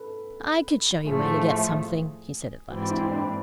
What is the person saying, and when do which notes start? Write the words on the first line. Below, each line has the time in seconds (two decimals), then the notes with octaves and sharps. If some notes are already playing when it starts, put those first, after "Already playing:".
"I could show you where to get something," he said at last.
Already playing: A4 B4
1.06 A2 F3 A3 G#4
2.69 G#2 E3 G3 C4 F#4
2.90 E4
3.11 D4